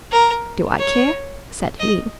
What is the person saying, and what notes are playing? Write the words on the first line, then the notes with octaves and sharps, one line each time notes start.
"Do I care?" said he.
A#4
C#5
D#5